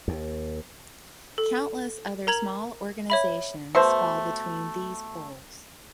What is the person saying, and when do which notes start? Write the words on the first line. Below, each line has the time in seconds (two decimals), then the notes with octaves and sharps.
Countless other small organisations fall between these poles.
0.08 D#2
1.38 A4
2.27 A#4 A#5 G#6 F#7
3.10 C#5 E5 B5
3.75 B2 A3 C5